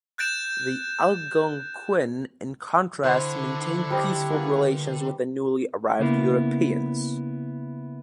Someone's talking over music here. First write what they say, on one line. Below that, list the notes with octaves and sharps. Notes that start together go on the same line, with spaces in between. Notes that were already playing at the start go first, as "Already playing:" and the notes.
The Algonquin in contrast maintained peaceful relations with the newly arrived Europeans.
F#6 G6 A6 D7 E7
D3 C4 D4 E4 C5 C#6
G3 C4 G4 D#5
E3 A#3 B3
C#3 A#3 B3 E4